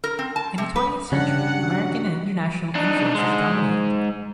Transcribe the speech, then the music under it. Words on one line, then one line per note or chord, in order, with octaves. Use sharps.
In the twentieth century, American and International influences dominated.
A#4
C4
A5
C3
B4
G2 C#3 G3 C#4 F#5
F#3
D4 D#4
G#2 G#3